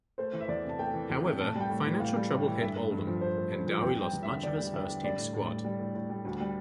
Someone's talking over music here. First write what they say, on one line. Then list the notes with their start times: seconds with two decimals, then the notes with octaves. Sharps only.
However, financial trouble hit Oldham and Dowie lost much of his first team squad.
0.18 A3 C5
0.33 E3
0.40 E5
0.48 E2 D5
0.64 C3 A5
0.79 A3 G5
0.94 E3
1.09 E2
1.25 C3
1.39 A2 A5
1.55 G3
1.60 G5
1.70 A2
1.86 E3
2.00 A2 F5
2.16 G3
2.31 A2
2.45 E3
2.61 G2 E5
2.76 A3
2.91 G2
3.07 F3
3.21 G2 C5
3.37 A3
3.52 G2
3.66 F3
3.82 E2 G5
3.97 G3 G5
4.13 E2
4.23 D3 E5
4.43 E2 D5
4.58 G3
4.73 E2 E5
4.89 D3
5.03 G3 D5
5.18 A2
5.34 A2
5.49 G3
5.64 G3
5.80 A2
5.95 A2
6.10 G3
6.25 D2
6.40 G3